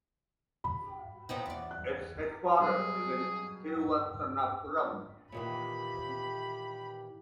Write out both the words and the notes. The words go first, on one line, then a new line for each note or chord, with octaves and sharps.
Its headquarter is in Thiruvananthapuram.
B5
B3 C4 D#4
E2 D5
F#6
B2 F#3 G3 G#4
A#2 D#3 E3 G4 B5